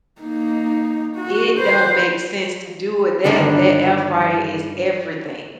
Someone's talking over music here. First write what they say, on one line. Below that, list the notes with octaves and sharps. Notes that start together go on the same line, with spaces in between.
It don't make sense to do it. That that air fryer is everything.
A#3 D#4
F#4
B4 C5
G2 D3 D#3 B3 D4